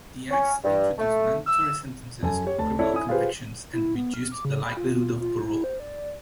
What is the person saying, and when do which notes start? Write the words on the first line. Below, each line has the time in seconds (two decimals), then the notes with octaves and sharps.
The Acts introduced mandatory sentences for criminal convictions, and reduced the likelihood of parole.
0.31 C#4
0.64 G2
0.99 A3
1.46 E6
2.23 F#2 A4 G#5
2.44 G4 C#5
2.58 D2 A5
2.79 E4 A4 C#5 D5
2.94 E4 G#5 D#6
3.09 F4 G4 G#4 B4 C5
3.73 E4
3.95 B3
4.14 F6
4.32 D6
4.45 C#3
4.63 B5
4.77 F4
5.21 F4
5.45 E4
5.64 C5
5.80 D5